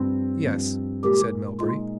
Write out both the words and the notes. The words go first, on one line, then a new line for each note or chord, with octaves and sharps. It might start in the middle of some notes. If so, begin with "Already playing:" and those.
"Yes," said Melbury.
Already playing: G2 F3 C4
G2 F3 C4
A#2 G#3 D#4 G4 A#4
A#2 G#3 D#4 F4 A#4